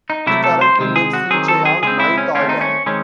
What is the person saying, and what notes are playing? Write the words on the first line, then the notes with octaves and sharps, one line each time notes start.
He currently lives in Chiang Mai, Thailand.
D#4
C3 F#3 A3 C4 E4
A4
C5
C3 D#3 G#3 C4
G#4
F#4
D#3 F#3 C4 G#4
A4
G#4
C#3 G#3 C4 G#4
E4
C#4
D#3 A3 C4 C#4
D#4
C#4
D#3 G#3 C4 C#4